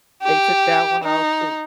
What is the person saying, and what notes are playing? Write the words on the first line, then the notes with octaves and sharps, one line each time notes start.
They took that one off too.
G4
D#4